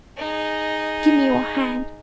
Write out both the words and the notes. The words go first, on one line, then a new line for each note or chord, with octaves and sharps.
Give me your hand.
D#4 G#4